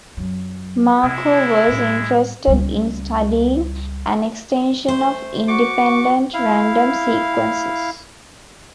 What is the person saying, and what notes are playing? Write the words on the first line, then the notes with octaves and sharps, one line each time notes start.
Markov was interested in studying an extension of independent random sequences.
F#2 F#3
C3 G#3 E4
A2 G3
C#2 G3
A3 C5 C6
F#4 C#6 D6
E4 F5